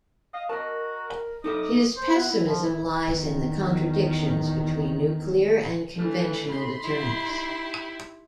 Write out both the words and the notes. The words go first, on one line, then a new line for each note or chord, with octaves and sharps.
His pessimism lies in the contradictions between nuclear and conventional deterrence.
D#5 F5
F#4 A#4 D#5 A5
D#4 A4 D#5 E5 D6
C5
B3
E4
F3
E4
E2 D#3
D3 E3 A3
D#4 B5 C6
E4 G4